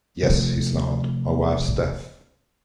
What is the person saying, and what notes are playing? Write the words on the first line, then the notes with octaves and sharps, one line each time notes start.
"Yes," he snarled, "my wife's deaf."
C3 F3 A3